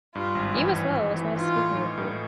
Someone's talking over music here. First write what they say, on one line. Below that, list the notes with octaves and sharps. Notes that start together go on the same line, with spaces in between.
You as well. It was nice speaking with you.
G2 F4
G#1
E3
G#1
E3
E3
D#4 F4
A2
D#4
A2